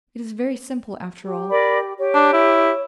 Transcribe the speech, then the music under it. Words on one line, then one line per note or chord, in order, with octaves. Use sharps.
It is very simple, after all.
G4
A#4 D5 B5
G4 C#5
D4
E4